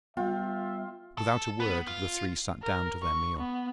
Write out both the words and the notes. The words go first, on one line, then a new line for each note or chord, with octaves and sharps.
Without a word the three sat down to their meal.
G3 A#3 B3 F4 E5 G5
A4
B3
F4
A#4
C#6
B3